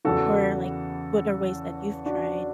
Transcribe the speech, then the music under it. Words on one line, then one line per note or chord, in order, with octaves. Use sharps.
or, like, what are ways that you've tried
E2 C#3 E3 F#4 A4
D4 F#4